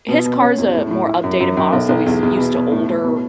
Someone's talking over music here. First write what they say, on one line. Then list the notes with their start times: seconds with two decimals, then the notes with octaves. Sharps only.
his car is a more updated model, so he's used to older
0.08 B2
0.25 B2
0.41 C#4
0.58 E2
0.74 A2
0.91 A2
1.08 E4
1.23 F#2
1.40 F#2
1.57 F#2
1.72 B1
1.89 B1
2.06 E2
2.23 E2
2.38 B2
2.55 B2
2.72 A2
2.88 A2
3.04 B2